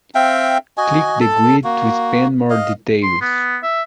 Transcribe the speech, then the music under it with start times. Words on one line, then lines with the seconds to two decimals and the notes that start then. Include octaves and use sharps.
Click the grid to expand more details.
0.15 C4 E5 F5 G5
0.77 F#4 D#5 G#5
1.21 A4 A5
1.64 A#3 F#4
2.50 D#5 F5
3.03 C6
3.21 B3
3.63 E5